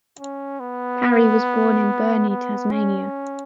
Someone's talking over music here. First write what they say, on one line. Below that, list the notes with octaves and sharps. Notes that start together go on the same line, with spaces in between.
Parry was born in Burnie, Tasmania.
C#4
B3
B3
C#4